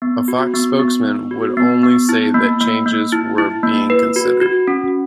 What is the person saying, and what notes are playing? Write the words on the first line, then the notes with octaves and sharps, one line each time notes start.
A Fox spokesman would only say that changes were being considered.
B3
F#4
B3
B3
B3
F#4
B3
B3
E4
A#3
A#3
A#3
E4
E4
A#3
B4
F#4
F#4
C#4